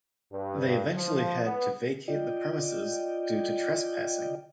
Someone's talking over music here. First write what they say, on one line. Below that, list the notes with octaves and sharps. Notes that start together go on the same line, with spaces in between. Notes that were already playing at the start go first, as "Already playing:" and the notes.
They eventually had to vacate the premises due to trespassing.
G2
F3
B3
F4 D5 D#5 G5